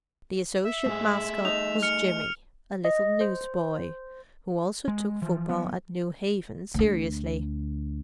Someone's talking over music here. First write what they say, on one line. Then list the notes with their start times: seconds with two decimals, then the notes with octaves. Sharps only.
The associate mascot was Jimmy, a little newsboy, who also took football at New Haven seriously.
0.65 E5 E6
0.86 G#2 A3 G#4
1.45 D#4 F7
1.82 F6 C#7
2.85 D#5
3.21 C5
4.88 G#3
5.22 E3 F3
5.49 F3 F#3 B3
6.74 D2 D3